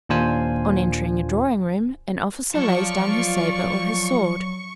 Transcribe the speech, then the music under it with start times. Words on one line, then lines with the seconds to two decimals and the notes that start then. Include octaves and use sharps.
On entering a drawing room, an officer lays down his sabre or his sword.
0.09 D#2 A#2 D4 F4 C5 G#5
2.55 F3 F#3 F4 D5 A5 C#6